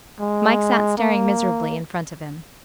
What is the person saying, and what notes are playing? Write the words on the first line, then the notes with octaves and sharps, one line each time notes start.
Mike sat staring miserably in front of him.
G#3
A#3